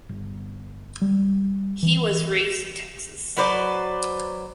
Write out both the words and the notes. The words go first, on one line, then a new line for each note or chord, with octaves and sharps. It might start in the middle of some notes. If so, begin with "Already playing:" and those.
He was raised in Texas.
G1
G3
E3
F#3 B4 C5 D5